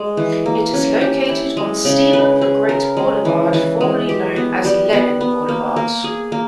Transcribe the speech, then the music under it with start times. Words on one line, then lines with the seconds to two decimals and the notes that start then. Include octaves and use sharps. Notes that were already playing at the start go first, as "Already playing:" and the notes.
It is located on Stephen the Great Boulevard formerly known as Lenin Boulevard.
Already playing: G#3
0.17 E3
0.46 A#3
0.74 C#4
1.01 G4
1.29 E4
1.57 G#3
1.85 C#3
2.13 B4
2.41 G#4
2.69 A#4
2.97 G#3
3.25 E3
3.53 E3
3.81 G#3
4.09 G4
4.36 B3
4.65 G3
4.93 B3
5.21 B3
5.49 A#3
5.76 A#3
6.04 G#4
6.32 A#3